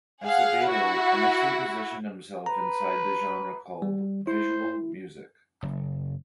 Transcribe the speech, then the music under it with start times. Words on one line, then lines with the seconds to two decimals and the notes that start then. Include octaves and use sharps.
Acevedo initially positioned himself inside the genre called Visual Music.
0.23 G#4 F5 F#5
0.67 E4 F#4
2.46 B4 A#5
3.82 G3
4.27 E4 C5
5.63 F#1